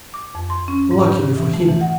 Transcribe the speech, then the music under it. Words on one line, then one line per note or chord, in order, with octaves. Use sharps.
Luckily for him.
D6
F2
C6
C#4
G#2
G4
D#3
E3
A3
E3
F#5